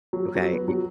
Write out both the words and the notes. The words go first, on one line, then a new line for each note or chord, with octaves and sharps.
okay? Y
F#3
F#3
B3
F#3